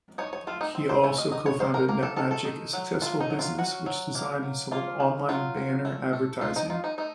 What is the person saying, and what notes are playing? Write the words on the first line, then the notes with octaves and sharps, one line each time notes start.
He also co-founded Netmagic, a successful business which designed and sold online banner advertising.
D#4 C#5
C#5
A3 F4
D#4
C4
C5
A3 C#5
D#5
D#4 D#5
C#5
D#3 C5
A#4
A#3 A#4
A4
D#3 A4
A4
D#4
F#3
A3 F4
D#4
F#3
F4
C#4 F#4
F#3
A#3
F#3
A#3 F4
D#3
F#3 F4
C#4
A3
A3
D#4 F4
D#4
D#4 F4
D#4
A3 D#4